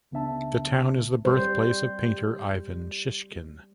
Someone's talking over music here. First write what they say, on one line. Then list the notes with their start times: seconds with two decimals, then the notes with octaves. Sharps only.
The town is the birthplace of painter Ivan Shishkin.
0.11 C#2 C#3 B3 D4 E5 A5
1.25 G3 C5